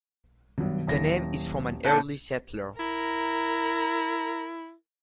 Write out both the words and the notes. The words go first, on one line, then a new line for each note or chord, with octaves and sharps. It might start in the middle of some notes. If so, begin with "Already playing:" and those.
The name is from an early settler.
B1 G2 D#3 F#3 B3
D#1 E4 A#6
A#2 A4 A5 F#6 G6 C#7
E4 A#4 A#5